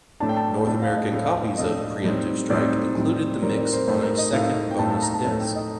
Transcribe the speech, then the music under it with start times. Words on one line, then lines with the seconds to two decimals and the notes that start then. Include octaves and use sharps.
North American copies of "Preemptive Strike" included the mix on a second bonus disc.
0.20 A2 A3 D4 A5
0.29 G5
0.37 A5
0.67 A2 A3 D4 A5
0.82 F5
0.97 D#5
1.12 A2 A3 D4 F5
1.58 A2 A3 D4 D#5
2.04 A2 G3 C4 D#4
2.50 A2 G3 C4 D#4 D5
2.96 A2 G3 C4 D#4
3.42 A2 G3 C4 D#4 A#4
3.57 D5
3.66 A#4
3.73 C5
3.88 A2 A3 D#4 C5
4.03 A#4
4.18 D#5
4.33 A2 A3 D#4 F5
4.71 G5
4.79 A2 A3 D#4 A5
4.91 A5
5.02 A#5
5.14 A5
5.25 A2 A3 D#4 A5
5.40 G5
5.56 D#5